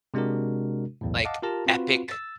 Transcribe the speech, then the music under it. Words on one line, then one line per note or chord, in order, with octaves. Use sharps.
like, epic
C3 G#3 D4 F#4 A#4
B1 E2 A2
D#5 F5 F#5 A5 D6
F4 G4 A#4 A5 A#5
C4 F4 F#4 B4
E6 A6